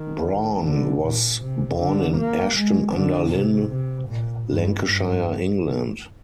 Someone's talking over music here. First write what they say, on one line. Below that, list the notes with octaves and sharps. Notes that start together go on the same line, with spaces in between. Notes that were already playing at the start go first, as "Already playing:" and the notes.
Brawn was born in Ashton-under-Lyne, Lancashire, England.
Already playing: D#3
D3
A#2
C3
D3
A#3
G#3
D3
C3
C3
A#2
G2
G2